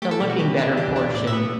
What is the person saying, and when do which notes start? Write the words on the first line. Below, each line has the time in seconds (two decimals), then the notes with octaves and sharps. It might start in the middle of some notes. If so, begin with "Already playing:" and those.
The looking-better portion
0.02 A3 G4
0.11 A4
0.20 B2 G4
0.29 F#4
0.39 B2 G4
0.58 D4
0.77 E3 G4
0.96 D4
1.14 A2 D5
1.27 E5
1.33 B3